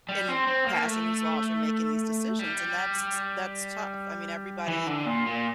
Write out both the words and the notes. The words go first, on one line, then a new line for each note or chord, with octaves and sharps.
In passing these laws or making these decisions, and that's that's tough, I mean, everybody
G3
C4
C4
A#3
A3
G3
E3
D3
A#2
A#2